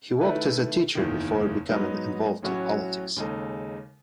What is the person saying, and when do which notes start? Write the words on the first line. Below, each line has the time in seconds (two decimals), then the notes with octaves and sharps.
He worked as a teacher before becoming involved in politics.
0.21 D#3 A3 E4 B4
0.95 F#1 E2 D#3
1.69 G#2 F#3 B3 D#4
2.42 A1 A2 F#3 C#4 F#4
3.16 D#2 C#3 G#3 D#4 A4